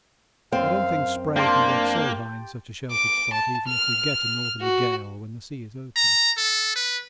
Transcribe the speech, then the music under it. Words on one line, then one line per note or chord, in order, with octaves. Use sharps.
I don't think spray can get so high in such a sheltered spot even if we get a northerly gale when the sea is open.
F#2 C4 F5
A#3 D4 G4 A5 C6
D6
A5
F6
F#4
A#5
A4
B4